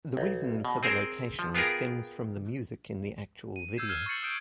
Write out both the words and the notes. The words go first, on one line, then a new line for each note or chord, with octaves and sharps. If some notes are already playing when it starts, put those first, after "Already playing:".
The reason for the location stems from the music in the actual video.
B1
B2
C4 G#4 A#4 C5
F3
B3 F4 G4 G#4 A#4
D#7
E6 G6 G#6 C7 E7
E6 F6 G#6 C7 E7 G7
C#6 G6 A6 C7 C#7 F#7
D#6 F6 G6 D7 E7